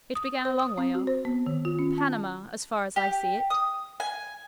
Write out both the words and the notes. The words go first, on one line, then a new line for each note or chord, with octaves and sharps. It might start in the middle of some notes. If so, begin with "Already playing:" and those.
It began a long way off--Panama, as far as I see it.
D#6
C5
D#6
C4
F#4
C5
B3
D#3
F4
C#4
A5
G4
D#6
G#5